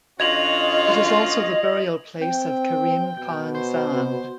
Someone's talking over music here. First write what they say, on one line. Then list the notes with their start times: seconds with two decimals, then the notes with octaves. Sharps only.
It is also the burial place of Karim Khan Zand.
0.20 D3 C#4 F4 F#4 D#5 G#6 F7 F#7
2.21 C4 G5
3.19 B2
3.54 C5